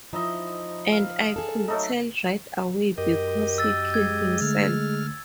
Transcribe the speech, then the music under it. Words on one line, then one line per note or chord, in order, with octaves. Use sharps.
And I could tell right away because he killed himself.
F3 D#4 E4 D#5
F5
G#4 A4
F#3 A3 D#4
F#2 G4 A#4 D#5
E6 A6
G#3 G#6
D3 A3 F6